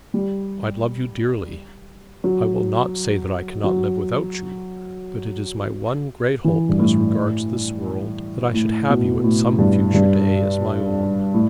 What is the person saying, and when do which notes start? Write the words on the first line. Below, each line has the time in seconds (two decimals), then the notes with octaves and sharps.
I love you dearly. I will not say that I cannot live without you; but it is my one great hope as regards this world, that I should have you at some future day as my own.
0.14 G3
2.24 F#3
3.64 F#3
6.44 E3
6.69 G2
6.79 A2
8.54 A2
8.89 B2
9.24 A2
9.58 G2
9.94 G2
11.34 A2